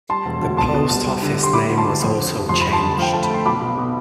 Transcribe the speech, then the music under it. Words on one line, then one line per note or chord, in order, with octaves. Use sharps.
The post office name was also changed.
G3 A5 C6
E1
D2
B2 A5 C6
B2
C2
G3
D3
G3
C6
E4 B5 D6
D2
A5 C6
D3
F2
D3
F1
F2 C6
G3 B5
A5 C6
D3
F3 G5
A3 A5
B5
A3 C6
B1 B5 D6
B2
B2